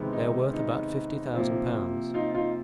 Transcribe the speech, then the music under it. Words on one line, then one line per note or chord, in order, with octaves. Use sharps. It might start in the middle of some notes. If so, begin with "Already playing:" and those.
They are worth about fifty thousand pounds.
Already playing: C3 D#3 G#3 B3
D#4
D#4
C3 F3 A#3
D#4 F4
D#4 F4